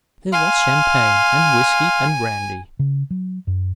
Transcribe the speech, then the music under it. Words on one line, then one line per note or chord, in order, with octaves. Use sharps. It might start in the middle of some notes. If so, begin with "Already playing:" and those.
There was champagne, and whiskey, and brandy.
F5 G#5 C6
C#3
F#3
F#2